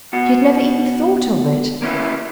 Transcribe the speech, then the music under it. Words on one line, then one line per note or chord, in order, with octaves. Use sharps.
She had never even thought of it.
B2 F#4
A#3 C#4 E4 B4